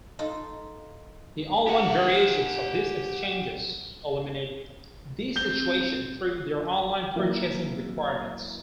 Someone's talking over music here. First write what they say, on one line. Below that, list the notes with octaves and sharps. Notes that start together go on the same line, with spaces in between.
The online variations of these exchanges eliminate this situation through their online purchasing requirements.
D#4 F4 A4
G4 F#5
C4 G6 G7
E3 F#3 A#3 E4